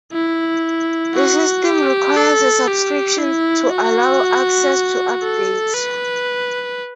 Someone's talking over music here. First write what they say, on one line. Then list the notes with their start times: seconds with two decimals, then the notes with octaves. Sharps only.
The system requires a subscription to allow access to updates.
0.13 E4
1.14 F#4
1.65 G4
2.17 A4
2.68 G4
3.19 E4
3.70 F#4
5.23 A4
5.74 B4